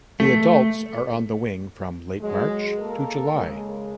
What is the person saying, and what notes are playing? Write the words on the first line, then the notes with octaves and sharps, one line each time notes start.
The adults are on the wing from late March to July.
A3
F#3 G#3
A#3 A4 A#4
C#3 G#3